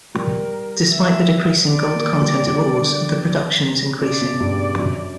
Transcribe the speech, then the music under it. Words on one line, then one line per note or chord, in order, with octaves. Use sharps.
Despite the decreasing gold content of ores, the production is increasing.
G3 A#4
E5
D5
A#3
G3
D3
C#3 D5
B2
G2
F#2